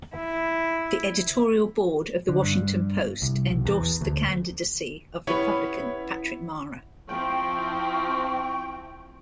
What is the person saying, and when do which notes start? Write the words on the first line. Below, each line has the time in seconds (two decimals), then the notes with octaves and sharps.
The editorial board of The Washington Post endorsed the candidacy of Republican Patrick Mara.
0.16 E4
2.28 D3
2.42 G2
3.22 C2
3.50 B1
3.65 E2
4.01 D2
5.27 B3 C#4 E4 G4 B4 C#5
7.09 F3 C4 E4 G5 C#6